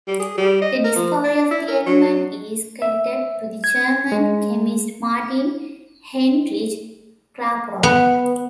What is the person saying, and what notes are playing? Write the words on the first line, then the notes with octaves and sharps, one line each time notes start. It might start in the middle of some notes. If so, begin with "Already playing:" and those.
The discovery of the element is credited to the German chemist Martin Heinrich Klaproth.
G3
G#4
G3
D#5
A#4
F3
D4
E4
A#4
F#3
E5
G#6
G#3
B3